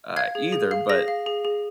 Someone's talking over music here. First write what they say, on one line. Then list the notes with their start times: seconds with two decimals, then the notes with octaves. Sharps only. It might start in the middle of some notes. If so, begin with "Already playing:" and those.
uh, either, but
0.16 F5 G#6
0.35 G#4
0.52 G#4
0.71 F5
0.89 G#4 A#6
1.08 F5
1.26 G#4
1.45 G#4